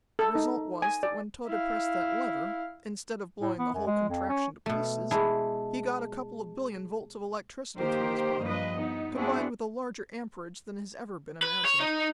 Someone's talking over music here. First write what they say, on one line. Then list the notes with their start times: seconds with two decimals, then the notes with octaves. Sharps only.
The result was that when Tode pressed that lever, instead of blowing the whole contraption to pieces, he got a couple of billion volts of electricity through his body, combined with a larger amperage than has ever been imagined.
0.19 A4
0.35 D#4
0.82 G#5
1.03 D5
1.47 E4 F5
3.42 A2
3.59 B3
3.74 F#2
3.87 G#3
4.10 F2
4.29 C#4
4.66 B2 A3
5.11 G#3 E4 G#4 A5
7.75 D#3 A#3 G4 A#4 C5
8.41 G2 F3 A#3 B4 D#5
8.75 B3 D#4
9.13 B3 C4 D4 E4 F#4 G#4
11.42 B4
11.65 C#5
11.80 D#4